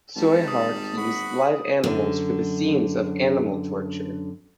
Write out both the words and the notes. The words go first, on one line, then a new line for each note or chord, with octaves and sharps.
Tsui Hark used live animals for the scenes of animal torture.
G#1 G3 A5
D#6
F#4 B4 B5
F#2 D3